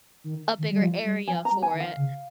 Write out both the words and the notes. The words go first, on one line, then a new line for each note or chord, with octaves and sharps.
a bigger area for it,
D#3
D#3
G3
F3
G3
F3 G#5
A#5
G3
G#5
D#3
F5
C#3